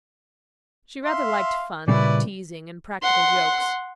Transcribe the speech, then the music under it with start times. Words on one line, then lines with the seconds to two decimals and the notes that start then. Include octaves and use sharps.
She rather liked fun, teasing, and practical jokes.
1.05 E5 F5 C6
1.88 A#2 C#3 G3 E4 B4 D5
3.02 F#5 C6